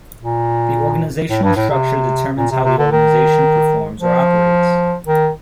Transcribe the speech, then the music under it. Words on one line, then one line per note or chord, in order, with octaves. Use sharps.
The organizational structure determines how the organization performs or operates.
A#2
A2
G2
A2
C3
A#2
C3
C3
D3
D#3
F3
D#3